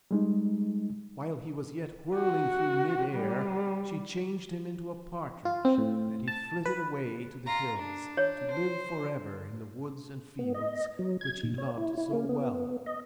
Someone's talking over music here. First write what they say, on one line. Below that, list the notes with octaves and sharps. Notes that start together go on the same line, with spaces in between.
While he was yet whirling through mid-air she changed him into a partridge, and he flitted away to the hills to live forever in the woods and fields which he loved so well.
G3 G#3 D#4
F#4
G3
F4
C4
A2
A5
B4
F4 A#5
D4
C#5
C5
B3
D#5
F#3
G#6
A#2
C#5
E4
E4
A#3
B3
D#5